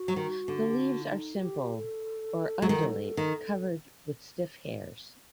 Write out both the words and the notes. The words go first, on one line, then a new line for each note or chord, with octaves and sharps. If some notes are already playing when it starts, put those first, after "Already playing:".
The leaves are simple or undulate, covered with stiff hairs.
Already playing: F#4
F#3
D#3
D3
G4
F#4
D4
D#4
F#4
G4
A4
F#3
D#3
D#3